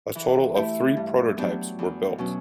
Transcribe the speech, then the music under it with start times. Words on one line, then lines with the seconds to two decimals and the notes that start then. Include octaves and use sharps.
A total of three prototypes were built.
0.15 E3
0.55 A3 E4 G4
0.97 G2
1.37 F#3 B3 D4 G4
1.79 E2
2.18 B2 F#3 C#4